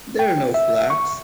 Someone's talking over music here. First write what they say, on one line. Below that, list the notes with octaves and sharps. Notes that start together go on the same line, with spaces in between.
There are no flaps.
G5
E5
C#6